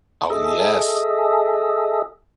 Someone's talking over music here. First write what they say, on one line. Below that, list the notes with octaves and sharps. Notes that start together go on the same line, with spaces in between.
Oh, yes.
G#4 A4 D#5 E5